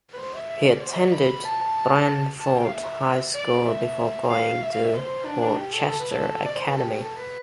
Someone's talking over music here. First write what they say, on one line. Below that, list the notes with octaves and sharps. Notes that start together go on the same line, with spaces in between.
He attended Branford High School before going to Worcester Academy.
B4
C5
E5
E5
D5
C5
E5
D5
B5
A5
A5
A5
G5
F5
E5
D5
E5
F5
E5
F5
E5
C5
D4
D4
G4
A4
A4
B4
A4
D5
C5
B4
A4
G4
A4
B4